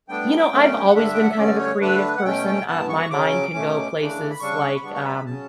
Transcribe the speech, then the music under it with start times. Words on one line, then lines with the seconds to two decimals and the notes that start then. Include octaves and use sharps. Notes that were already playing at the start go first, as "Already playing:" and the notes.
you know, I've always been kind of a creative person, uh, my mind can go places like, um,
0.08 A2 G3 B3 D4 G5
0.51 F#2 D3 A3 C#4
0.88 F#5
0.94 G2 D3 G3 D4 E5
1.14 G5
1.22 F#5
1.31 E5
1.38 G2 D3 A3 C#4 D5
1.59 C#5
1.80 D3 A3 D4 B4
2.18 F#5
2.24 B2 A3 C#4 G5
2.67 G2 E3 B3 A5
2.89 C#6
3.10 C#3 F#3 C#4 D6
3.53 B2 A3 C#4
3.97 C#3 E3 A3 D4
4.30 B5
4.40 C#3 G3 D4 C#6
4.67 A5
4.76 B5
4.83 B2 G3 B3 D4 C#6
4.94 C#6
5.04 B5
5.26 C#3 F#3 C#4 A5